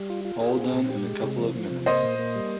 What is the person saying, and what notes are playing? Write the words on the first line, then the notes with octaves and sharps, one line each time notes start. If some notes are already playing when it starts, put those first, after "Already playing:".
All done in a couple of minutes.
Already playing: G3
F4
F4
G#4
C4
A#2
G4
G#3
C3
F3
F3
C3
A#3 C5 D#5
A#2
A#3
G3